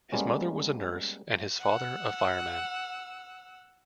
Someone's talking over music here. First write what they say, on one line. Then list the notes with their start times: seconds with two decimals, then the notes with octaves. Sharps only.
His mother was a nurse and his father a fireman.
0.12 G3 G#3 A#3 B3 C#4
1.61 F#5 E6